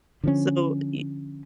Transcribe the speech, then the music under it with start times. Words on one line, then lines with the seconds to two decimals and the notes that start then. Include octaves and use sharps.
So, y
0.24 D3 F3 C#4